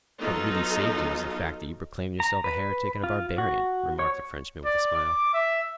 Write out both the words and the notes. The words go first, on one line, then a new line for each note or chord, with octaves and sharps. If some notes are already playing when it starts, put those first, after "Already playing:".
"What really saved you was the fact that you proclaimed yourself a heretic and a barbarian," remarked the Frenchman with a smile.
F#3 B3 D#4 F4 A4
A#5
B4
F4
F#4
C#5
D5
D6
E5